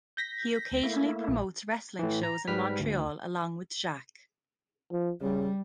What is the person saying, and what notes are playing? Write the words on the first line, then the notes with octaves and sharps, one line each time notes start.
He occasionally promotes wrestling shows in Montreal along with Jacques.
G6 A#6 B6
D2
A3 A#3 E4
A#1
A2 E3
A#5
G#2 G3 B4 F6 B6
D2
F3
C#3 G3